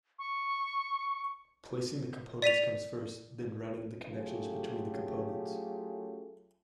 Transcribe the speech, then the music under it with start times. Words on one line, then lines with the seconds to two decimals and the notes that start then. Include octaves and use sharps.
Placing the components comes first, then routing the connections between the components.
0.19 C#6
2.42 D5 B6 D#7 F7
4.09 F#3 A3 C#4 F4 G4 G#4